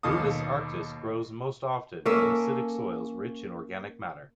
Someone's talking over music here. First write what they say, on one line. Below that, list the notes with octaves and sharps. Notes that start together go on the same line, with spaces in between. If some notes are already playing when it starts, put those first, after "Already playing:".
"Rubus arcticus" grows most often in acidic soils rich in organic matter.
D#2 B2 A4 F5 D#6
A#3 C#4 A4 E5